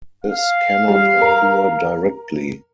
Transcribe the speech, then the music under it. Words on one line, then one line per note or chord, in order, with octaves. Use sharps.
This cannot occur directly.
F5
G3
A#4